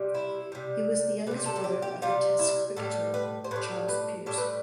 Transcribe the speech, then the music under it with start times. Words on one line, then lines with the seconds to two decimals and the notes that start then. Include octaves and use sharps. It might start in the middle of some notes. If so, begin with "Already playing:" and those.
He was the youngest brother of the Test cricketer Charles Pearse.
Already playing: C3 G3
0.15 E4
0.52 C3 G3
1.27 G3 B4
1.31 C3
1.46 A4
1.56 A4
1.64 G4
1.82 G4
2.02 C3 G3 F4
2.39 E4
2.76 A2 G3 A4
3.14 B4
3.44 C5
3.51 A2 G3 B4
3.89 B4
4.26 A2 G3 A4
4.38 B4